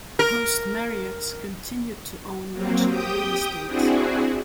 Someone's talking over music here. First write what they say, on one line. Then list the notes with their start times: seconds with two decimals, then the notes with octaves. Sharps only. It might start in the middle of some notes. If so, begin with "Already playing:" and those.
Host Marriott continued to own lodging real estate.
0.19 A#4
2.52 F#3 A#3 C4
2.88 G4 G5 D#6 G6
3.67 C4 D4 E4 F#4 G#4